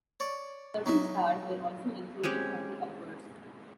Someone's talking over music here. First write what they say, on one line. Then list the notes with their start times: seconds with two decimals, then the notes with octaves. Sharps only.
Thirteen stars were also included on the obverse.
0.20 C#5 D5
0.86 F#3 D#4 E5
2.23 G#3 C4 C#4 G4